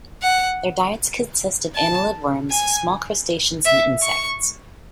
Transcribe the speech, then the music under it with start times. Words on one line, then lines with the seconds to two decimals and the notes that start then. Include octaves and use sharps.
Their diets consist of annelid worms, small crustaceans, and insects.
0.23 F#5
1.75 A5
2.51 G#5
3.65 E5
4.03 C#6